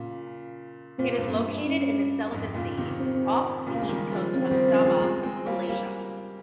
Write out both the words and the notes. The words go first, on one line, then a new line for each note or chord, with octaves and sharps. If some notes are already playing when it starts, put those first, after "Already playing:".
It is located in the Celebes Sea off the east coast of Sabah, Malaysia.
Already playing: A#2 C#3
A#2 C4
C3
G2 A#2
A#3
C#4
F2 G#2
A#2 C#3
C3 D#3
C4
A#2 C#3
A#3
G#3
D#3 G3
F3 G#3
C#3 F3 C4
D#3 G3
C#3 F3
F3 G#3
G#3 C4
G#3 C4
G3 A#3
G3 A#3